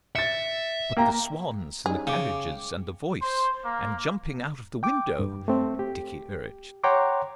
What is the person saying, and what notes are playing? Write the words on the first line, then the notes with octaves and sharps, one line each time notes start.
"But the swans and the carriages and the voice--and jumping out of the window..." Dickie urged.
E5 A6 C#7
A#3 G5 A#5
G3 C#4 D#4 G#4
C#3 G5 D6
C5
A#3
G5 D6
G2
A3 C4
G4
C#5 F#5 G5 A#5 C6 D6